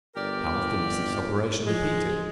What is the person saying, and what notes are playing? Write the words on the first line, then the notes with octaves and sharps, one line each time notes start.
How often is this operation repeated?
G1 G4 A#4 D5
F3 G#3